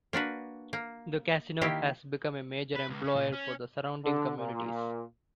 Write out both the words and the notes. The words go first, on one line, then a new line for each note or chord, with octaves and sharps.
The casino has become a major employer for the surrounding communities.
A#3 D4 F#4 B4
A#3
D#3 A#3 E4 G4
B4
C#2
C#3
A#2
C#4
D3
A#2